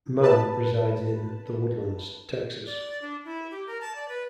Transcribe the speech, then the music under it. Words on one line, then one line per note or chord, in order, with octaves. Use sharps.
Mann resides in The Woodlands, Texas.
B4 A5
D5
D4
E4
G4
A#4
A5
D5
B4